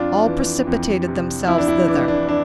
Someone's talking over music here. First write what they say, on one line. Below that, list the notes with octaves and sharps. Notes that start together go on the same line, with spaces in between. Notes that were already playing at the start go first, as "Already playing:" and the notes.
All precipitated themselves thither.
Already playing: F2 D4 F4
E3
F2
C3
F2 E4
D4
E4
E3 D4
D4
D4